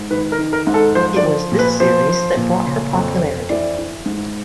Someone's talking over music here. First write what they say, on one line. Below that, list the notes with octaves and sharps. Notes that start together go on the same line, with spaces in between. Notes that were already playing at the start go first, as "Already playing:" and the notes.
It was this series that brought her popularity.
Already playing: G#2
D#3 B4
A#4
D#3
A#4
G#2
A4
F3 C5
D5
F3
A#2
B4
F3 C5
F3
A#2
C#3
F2
F2
E3 D5
E3
G#2